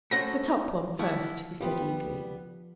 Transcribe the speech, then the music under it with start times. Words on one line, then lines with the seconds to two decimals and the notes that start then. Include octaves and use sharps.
"The top one first," he said eagerly.
0.11 A3 C#4 F#4 C5 D#5 B5 A#6
0.99 F3 E4 F#5 C#6 D6
1.60 G3 B3 F4 G4 B5